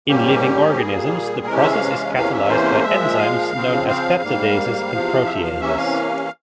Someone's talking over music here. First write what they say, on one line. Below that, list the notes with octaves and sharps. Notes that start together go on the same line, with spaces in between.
In living organisms, the process is catalyzed by enzymes known as peptidases or proteases.
G#2 G3 A#3 C#4 G4
A#2 G3 A#3 G#4
C3 E3 G#3 C#4 A#4
G4
E5
F5
E2 C3 E3 A#3 C#4 F5
E5
C5
A#2 F3 G#3 E5
F5
C#3 F3 C4
F5
G#2 G3 A#3
E2 C3 F3
E5
F5
C3 E3 A#3 C#4 E5
F5